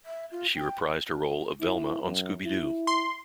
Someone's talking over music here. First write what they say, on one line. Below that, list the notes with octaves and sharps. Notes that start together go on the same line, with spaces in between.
She reprised her role of Velma on Scooby-Doo!
E5
F4
G5
E4
F#2
E4
C6